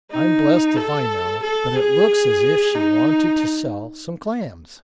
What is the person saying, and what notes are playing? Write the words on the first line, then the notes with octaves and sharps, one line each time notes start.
"I'm blessed if I know, but it looks as if she wanted to sell some clams."
D#4
A4
A4
G#4
D#4